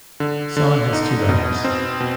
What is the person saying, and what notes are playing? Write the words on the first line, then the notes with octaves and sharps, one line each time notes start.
Sohn has two daughters.
D3
D3
D#4
B2
C4
B2